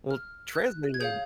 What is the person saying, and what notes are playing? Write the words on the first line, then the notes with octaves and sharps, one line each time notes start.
Well, translating
F6
F#6
G#6
G#4 C#5 F5 G6